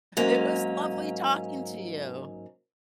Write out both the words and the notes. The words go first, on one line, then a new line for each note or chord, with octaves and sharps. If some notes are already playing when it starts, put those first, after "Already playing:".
It was lovely talking to you.
G#2 F#3 A#3 C#4